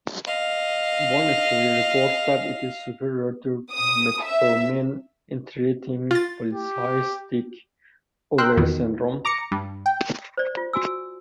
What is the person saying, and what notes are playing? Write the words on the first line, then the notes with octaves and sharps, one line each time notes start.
One study reports that it is superior to metformin in treating polycystic ovary syndrome.
D#5 F5
D#6
E5
F4 A6
G4
A#4 G5 C6 E6 F#6
E2 B2 D#3
A#5 D6 A#6 C#7
G2
G5
C5 D5
F4
F#4 G#5 E6